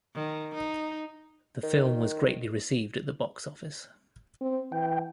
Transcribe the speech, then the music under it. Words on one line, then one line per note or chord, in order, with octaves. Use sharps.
The film was greatly received at the box office.
D#3
D#4
D#3
C4
E3 G5